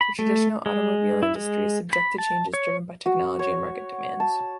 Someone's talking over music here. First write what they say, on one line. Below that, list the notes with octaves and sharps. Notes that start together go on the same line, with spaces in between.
The traditional automobile industry is subject to changes driven by technology and market demands.
B5
A3
G#3
E4
G#3
B5
A5
C#5
F#4
C#5
A5